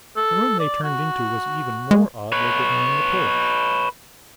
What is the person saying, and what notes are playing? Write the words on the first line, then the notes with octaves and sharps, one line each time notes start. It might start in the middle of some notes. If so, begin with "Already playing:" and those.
The room they turned into was even more odd-looking than the porch.
A4
D5
F#4
G#3
B4 C#5